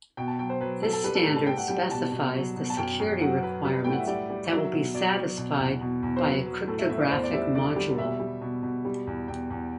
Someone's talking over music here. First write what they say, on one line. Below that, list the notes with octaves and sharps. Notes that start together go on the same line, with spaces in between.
This standard specifies the security requirements that will be satisfied by a cryptographic module.
B2 G5
A5
F#3 G5
C5
F#3 B4
F#3 A4
A4
G3 B4
A4
A2 B4
A5
A2 G5
F#5
G3 G5
B2 A5
B2
F#3
B2
A5
F#2 G5
F#2
F#3 F#5
F#3 B4
G3 B4
A2 G5
F#5
E5
G3 D5
G3
D5
F#3 E5
B2
F#3 D5
F#3
B2
E2
B2
E2
C5
F#3 B4
F#3
A2 A4
E5
A2 E5
D5
E2 C5
D5
G3 E5
D3 D5
G3
B2 E5
G3
B2
B2
G3
E2
E2 G5
E2